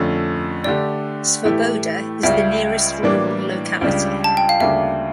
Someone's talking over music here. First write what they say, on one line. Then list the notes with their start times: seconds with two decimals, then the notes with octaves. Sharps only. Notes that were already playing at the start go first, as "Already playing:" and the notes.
Svoboda is the nearest rural locality.
Already playing: F2 D3 A3 C#4
0.64 D3 A3 D4 G4 D5
1.44 A2 E3 A3 E4 G4
2.23 C#2 C#3 G3 E5
3.02 A2 E3 G3 A#3 D4
3.81 C#2 C#3 G3 D4 G4
4.24 A5
4.37 G5
4.49 F5
4.60 D2 C#3 G3 A#3 D4 E5